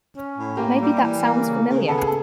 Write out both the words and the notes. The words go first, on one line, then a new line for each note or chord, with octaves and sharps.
Maybe that sounds familiar.
C#4
A2
A#3 G4
G3
E3
A#3
C#3
C#3
B3 A4
G#4
A4